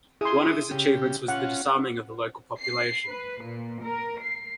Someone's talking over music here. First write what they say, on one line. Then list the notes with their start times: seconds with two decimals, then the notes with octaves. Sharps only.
One of his achievements was the disarming of the local population.
0.21 E4 G#4 C6 D#6
0.71 C#3 G4
1.28 C#4 F4 F#5
2.60 C7
3.08 B4
3.45 A#2
3.83 A#4
4.22 C7